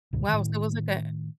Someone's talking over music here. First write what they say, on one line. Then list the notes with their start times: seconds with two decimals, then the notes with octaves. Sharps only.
Wow, so it was like a
0.13 C#2 G#2 B2 D3
0.28 A2 D#3